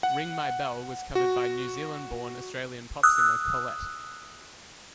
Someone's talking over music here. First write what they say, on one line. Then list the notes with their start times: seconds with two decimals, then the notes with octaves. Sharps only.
"Ring My Bell" was covered by New Zealand-born, Australian pop singer Collette.
0.03 F#5
1.15 F#4
3.03 D#6 E6 F#6